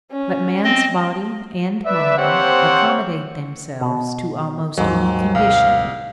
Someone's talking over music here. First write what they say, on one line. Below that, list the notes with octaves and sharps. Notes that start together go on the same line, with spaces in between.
But man's body and mind accommodate themselves to almost any condition.
C#4
C4 D#5
B4 D5 E5
A#3 C4 G4 C5 C#5 F#5
B2
D#2 G#2 F#3
C2 F5